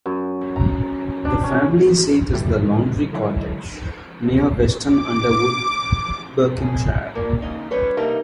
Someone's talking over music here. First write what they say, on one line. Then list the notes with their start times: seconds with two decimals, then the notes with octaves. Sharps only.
The family seat is The Laundry Cottage, near Weston Underwood, Buckinghamshire.
0.06 F#2
0.56 A#5
1.25 D4
1.44 C#4
1.86 G#1
2.33 B2 D3 E3 G3
3.13 D3 E3 F#3 G#3
4.87 D6
6.58 F#2 G#4
7.15 A#2 G3 A#3
7.42 C#3 A#3 D#4
7.71 G3 C#4 F4 B4 C#5
7.97 G2 C3 G3 A3 A#3 D#4